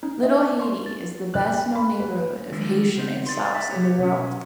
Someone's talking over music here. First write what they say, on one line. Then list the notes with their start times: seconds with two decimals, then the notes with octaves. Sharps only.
Little Haiti is the best known neighborhood of Haitian exiles in the world.
0.03 C#4 D#4
0.23 D#5 E5
0.60 C6 C#6
0.86 A6
1.34 F#6
1.75 B5
2.00 B4
2.52 D3 D#3 F3 G#3 A4
2.96 C#3 B3 C4 D#4
3.27 G#4 D5 C6
3.54 D5 E5
3.70 C2 G4 B4 C#5
4.01 B2 C#4